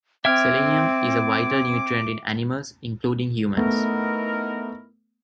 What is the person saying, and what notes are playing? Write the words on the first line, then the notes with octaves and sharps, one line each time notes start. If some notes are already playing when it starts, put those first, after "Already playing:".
Selenium is a vital nutrient in animals, including humans.
C4 E5 G5 D6 F6 G#6
A3 B3 D#4 E4 A#4